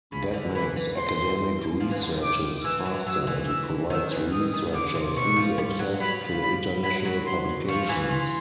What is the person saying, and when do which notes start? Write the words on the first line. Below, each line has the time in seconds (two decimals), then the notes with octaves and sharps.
That makes academic researches faster and it provides researchers easy access to international publications.
0.12 C#3 B5
0.33 D3
0.55 E3 B5
0.76 E3
0.97 C6
1.80 F3
1.91 E3
2.02 D3
2.12 D#3
2.23 D6
2.64 E3 E6
2.85 F#3
3.06 F#3 E6
3.27 E3
3.48 E6
3.90 D#3 E6
4.11 E3
4.32 D#3 D#6
4.53 D#3
4.67 D#3
4.74 D3 D6
4.95 C3
5.16 B2 C#6
5.36 F3
5.58 G3
5.79 F#3
6.00 F#3 B5
6.21 F3
6.41 G3 B5
6.83 F#3 B5
7.05 F#3
7.26 C6
7.68 F3 C#6
7.89 E3
8.10 C6